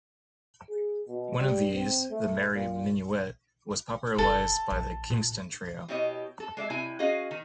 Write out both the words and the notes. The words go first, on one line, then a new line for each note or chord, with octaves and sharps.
One of these, "The Merry Minuet", was popularized by the Kingston Trio.
G#4
B2
G3
C4
A3
A#2
F#1 A4
A#1
A#2
B2 E4 G4 C#5 D#5
A4
G#3 D5 E5
C3 E4 G#5
C#4 F#4 G#4 D#5 F5
D#3